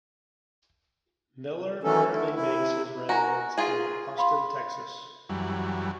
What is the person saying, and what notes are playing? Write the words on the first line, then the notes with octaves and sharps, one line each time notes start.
Millar currently makes his residence in Austin, Texas.
D#3 E3 F#3 A3 C#4 A4
D3 A3 E4
C3 E4
F#4 A#4 G#5 A#5 A#6
F4 G#4
F5 B5 C6
F#2 E3 F#3 G3